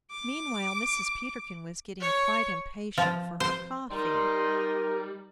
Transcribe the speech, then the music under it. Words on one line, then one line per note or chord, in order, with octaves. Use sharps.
Meanwhile Mrs. Peterkin was getting quite impatient for her coffee.
D6
C#5
F3
C5
G3 D#4 A#4 C6